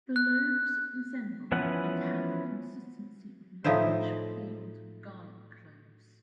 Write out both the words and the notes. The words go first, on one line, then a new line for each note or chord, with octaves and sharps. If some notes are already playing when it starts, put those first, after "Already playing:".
The lobes resemble, and have the consistency of, large peeled garlic cloves.
F#6
E3 F3 B3 C#4 F#5
A2 F3 D#4 E4 C5